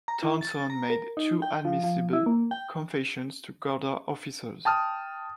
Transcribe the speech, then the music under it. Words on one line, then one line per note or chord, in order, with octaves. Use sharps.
Townson made two admissible confessions to Garda officers.
A#5
E3
A6
A#5
A#4
D#4
G5
F3
F3
E4
A#3
G5
G5 A5 D#6 F6